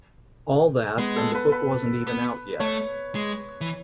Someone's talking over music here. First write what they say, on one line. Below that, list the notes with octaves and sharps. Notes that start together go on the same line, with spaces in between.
All that, and the book wasn't even out yet.
G#3 B3
A4
B4
B4
B3
A3 C#5
G#3
E3